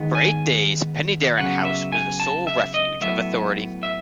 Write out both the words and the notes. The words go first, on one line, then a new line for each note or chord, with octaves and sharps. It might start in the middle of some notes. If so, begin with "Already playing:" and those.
For eight days, Penydarren House was the sole refuge of authority.
Already playing: G#2 D#3 G#3 B3
G#5
C#3 F#3 B3 F#5
E5
G#5
A5
E5
D#5
A2 F#3 B3 E5
E5